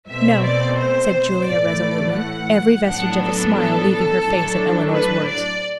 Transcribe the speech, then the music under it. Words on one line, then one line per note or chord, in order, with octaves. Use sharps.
"No," said Julia resolutely, every vestige of a smile leaving her face at Eleanor's words.
B2 A3 C4 E5
D5
C5
A2 E3 A3 D5
F#5
A2 F#3 B3 D4 F#5
A4
A4
A2 F#3 A3 D4
B4
D5